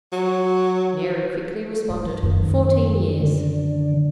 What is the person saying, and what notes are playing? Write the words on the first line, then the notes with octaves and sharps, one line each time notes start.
Mary quickly responded, "Fourteen years."
F#3
G2
F#2 D#3
D3